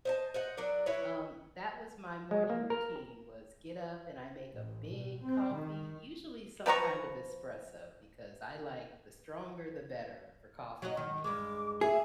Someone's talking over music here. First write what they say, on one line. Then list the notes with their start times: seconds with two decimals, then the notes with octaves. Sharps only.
um, that was my morning routine, was get up and I make a big coffee, usually some kind of espresso, because I like the stronger the better for coffee for me.
0.05 C5 D#5 A5
0.34 C5 D#5 F#5
0.57 F#3 D4 A#4 D5
0.86 E4 B4 C#5
2.31 G#3
2.50 A#3
2.70 A#4
4.53 A1
4.85 B2
5.23 C4
5.52 D#3
6.66 F3 B4 A#5 C#6
10.82 F#3 F#4 D#5
10.97 D#3
11.24 G2 G#3 D6
11.81 G#4 E5